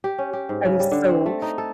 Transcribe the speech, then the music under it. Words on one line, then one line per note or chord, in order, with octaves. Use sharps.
I'm so
G4
C#4
G4
G#2
C#3
G3
D3
C4
A3
D#4
A4